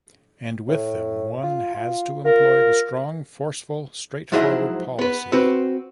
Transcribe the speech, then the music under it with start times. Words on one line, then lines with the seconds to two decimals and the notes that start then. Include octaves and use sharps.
And with them, one has to employ the strong, forceful, straightforward policy.
0.68 A2
1.43 F4
1.75 F4
2.25 F4 A#4
4.32 G#2 F3 F#3 E4 G#4 D#5
4.99 B3 B4
5.32 C4 F#4 B4